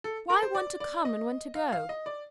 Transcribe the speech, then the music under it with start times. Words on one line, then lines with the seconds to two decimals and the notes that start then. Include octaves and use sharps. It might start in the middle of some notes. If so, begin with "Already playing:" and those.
'Why one to come and one to go?'
0.04 A4
0.30 A#4
0.42 C5
0.55 D5
0.80 D5
1.05 D#5
1.55 F5
1.72 F5
1.89 D#5
2.06 D5